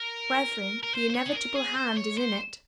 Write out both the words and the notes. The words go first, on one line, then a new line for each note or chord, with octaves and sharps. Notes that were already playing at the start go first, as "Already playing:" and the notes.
Brethren, the inevitable hand is in it.
Already playing: A#4
A#4
C5
C5
C#5
G#4
A#4
G#4
C5
C#5
C5